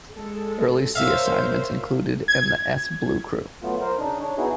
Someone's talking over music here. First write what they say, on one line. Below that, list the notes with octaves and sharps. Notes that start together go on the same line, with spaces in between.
Early sea assignments included and the s blue crew.
G#3 A4
A#4 C5 C#5 E5 F5
G#6
F#3 A3 B3 F4
A#4 C5
C#3 D4 D#4
D4 C#5
B3 D#4 E4 F#4 G#4